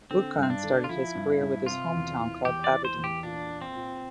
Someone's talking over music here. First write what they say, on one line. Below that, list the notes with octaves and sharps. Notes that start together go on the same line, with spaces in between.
Buchan started his career with his home town club, Aberdeen.
D3 C4
G2
C4
D4
D3
F4
F3 E4
G2
G2
C3 F4
E2
E3
E2 G4
D5
E3
C5
E2
G4
A#2 D4
F4
C4
A#2